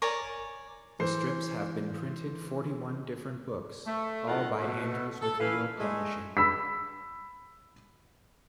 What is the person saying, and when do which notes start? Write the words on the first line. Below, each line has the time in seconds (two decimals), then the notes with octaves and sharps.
The strips have been printed forty-one different books, all by Andrews McMeel Publishing.
0.02 A#4 C#5 D5 G#5
1.00 E3 C5 C7
3.87 A3
4.28 A2 D#3 F#3 F4 A4 F#5
4.59 B2 A3
5.22 A4
5.40 E3 C#4 E4 B4 F5
5.79 G#3 A3
6.37 B5 E6 B6